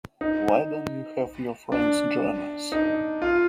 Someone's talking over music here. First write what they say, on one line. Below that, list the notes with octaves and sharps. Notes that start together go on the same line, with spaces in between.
Why don't you have your friends join us?
D#4
D4
D#4
F4